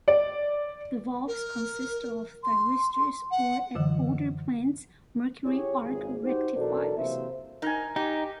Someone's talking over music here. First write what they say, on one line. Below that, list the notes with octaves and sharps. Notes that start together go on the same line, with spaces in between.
The valves consist of thyristors, or at older plants, mercury arc rectifiers.
D5
A#4
C6
F#5
F#2 D3 E3 F#3
E4 G4 G#4 C#5
G#1 C#2 F3 G#4
D#4 F#4 G4 C5
B2 E3 F#3 D4 A4 A#4
C3 E3 F#3 A#3 C5 E5
D#4 A#4 G#5
D#4 G4